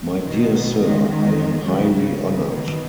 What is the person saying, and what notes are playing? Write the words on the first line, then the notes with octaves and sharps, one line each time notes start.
My dear Sir, I am highly honoured.
B2 D#3
D#3 G#3
D#3 G#3
C#3 F#3
C#3
C#3 F#3
B2 D#3